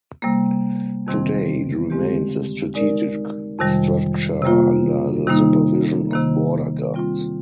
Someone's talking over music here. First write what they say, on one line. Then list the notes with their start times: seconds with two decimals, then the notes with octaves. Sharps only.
Today, it remains a strategic structure under the supervision of border guards.
0.22 C3 G3 A#3
1.07 F2 C3 D#3 G3 C4
1.90 D3 G#3 C4 G4
2.74 G#3 D#4 A#4 D5
3.58 F2 C3 D#3 G3
4.42 C3 G3 A#3 F4
5.27 C3 D#3 G3 A#3 D#4
6.11 C3 D#3 A#3
6.94 G3 C4 F4